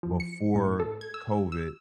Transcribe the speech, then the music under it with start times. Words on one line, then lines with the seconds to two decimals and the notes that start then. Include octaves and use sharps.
before COVID,
0.03 F3
0.20 C#7
0.56 A2
0.80 A4
1.01 G#6
1.14 E6
1.52 E6